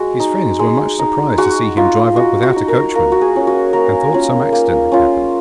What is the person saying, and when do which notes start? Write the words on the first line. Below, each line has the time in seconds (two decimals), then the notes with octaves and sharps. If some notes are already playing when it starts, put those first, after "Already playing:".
His friends were much surprised to see him drive up without a coachman, and thought some accident had happened.
Already playing: G#3 F#4
0.20 D#4
0.59 G#3
0.99 D#4
1.38 G#3 F#4
1.77 D#4 F4
2.16 G#3 F#4
2.43 F#4
2.56 D#4
2.68 A#4
2.95 A#3 A#4
3.12 F#4
3.21 G#4
3.34 C#4 F4
3.47 F#4
3.73 A#3 A#4
4.13 C#4 F4
4.53 A#3
4.92 C#4 F4